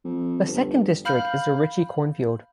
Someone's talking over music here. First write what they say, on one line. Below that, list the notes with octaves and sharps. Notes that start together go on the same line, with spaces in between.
The second district is the Ritchey cornfield.
F2
G1
F5 B5 F6 G6